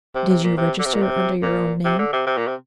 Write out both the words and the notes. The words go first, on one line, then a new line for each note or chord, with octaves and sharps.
"Did you register under your own name?"
C3
C3
A#2
C3
D3
C3
A#2
C3
A#2
C3
D3
C3
C3
A#2
C3